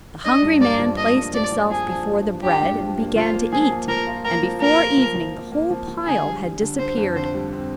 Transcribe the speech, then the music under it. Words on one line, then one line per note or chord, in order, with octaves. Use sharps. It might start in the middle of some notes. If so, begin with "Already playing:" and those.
The hungry man placed himself before the bread, and began to eat, and before evening the whole pile had disappeared.
D4 D#5
G2
G2 D5
F3
A#3 D#5
G2
F3 D5
F3
F3 G#4
F3
G2
G2
D4 G4
G2
F3
A#3
F3 F4
A#3
F3 G#4
A#3
F3 A#4
F4
A#3 A#4
F3
A#3 A#4
F4
F3
F3
A#3
A#3
F3
F3
D3 G#4
G3
G3
D3
D3 C5
F2
D3 C5
G3
C4